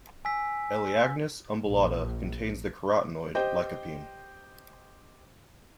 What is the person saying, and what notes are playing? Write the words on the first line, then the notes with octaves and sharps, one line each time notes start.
"Elaeagnus umbellata" contains the carotenoid, lycopene.
G#5 E6 B6
A#1
G4 C5 D#5 G5